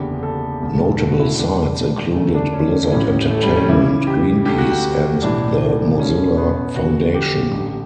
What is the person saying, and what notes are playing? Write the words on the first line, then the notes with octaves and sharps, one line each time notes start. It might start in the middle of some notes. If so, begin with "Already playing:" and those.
Notable sites included Blizzard Entertainment, Greenpeace, and The Mozilla Foundation.
Already playing: F#1 E2 D3 G4
A4
E1 D2 C#3
F#4
E4
E1 E2 B2 D4
D2 D3 A3
D4
C#4
A1 A2 E3 C#4
A3
G3
C#4
C#2 C#3 E3 E4
G4
D2 D3 G4
F#4
G4
B1 A2 E3 D4
B1 B2 C#4
B3
G1 G2 D3 F#4
G4
A1 G2 D3